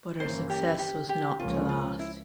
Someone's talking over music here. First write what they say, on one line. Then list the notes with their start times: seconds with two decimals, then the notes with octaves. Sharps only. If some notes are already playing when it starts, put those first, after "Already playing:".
But her success was not to last.
0.20 G2 E3 A#3 C#4 C5
0.50 G4
0.79 G4
1.09 G4
1.39 C#2 C#3 F3 A#3 C#4 F4
1.69 F4
1.99 E4